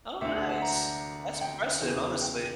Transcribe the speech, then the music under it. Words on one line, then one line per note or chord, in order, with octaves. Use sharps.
Oh, nice. That's impressive, honestly.
D2 D3 E5
E5
F#5
A#5
G5
E2 C#3 E3
G5